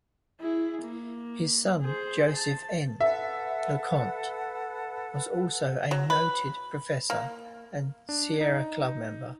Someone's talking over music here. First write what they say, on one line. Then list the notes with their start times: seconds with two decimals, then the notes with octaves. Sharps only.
His son, Joseph N. LeConte, was also a noted professor and Sierra Club member.
0.40 E4 G#4
0.82 A#3
1.82 G#4 C5
2.36 A5
3.01 A4 B4 E5 F#5
5.91 F#3
6.10 B4
7.10 A#3
8.09 D4
8.41 D#4